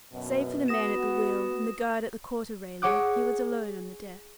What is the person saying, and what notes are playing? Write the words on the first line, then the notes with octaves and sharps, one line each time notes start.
Save for the man at the wheel and the guard at the quarter-railing, he was alone on the deck.
F#2 B2
B3 F#4 D#6 A#6 E7
G#4 C#5 F#5 D6 F#6